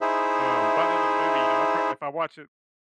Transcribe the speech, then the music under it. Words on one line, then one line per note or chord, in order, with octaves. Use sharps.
um, by the end of the movie, you know, I pr if I watch it
D#4 E4 G#4 C5 E5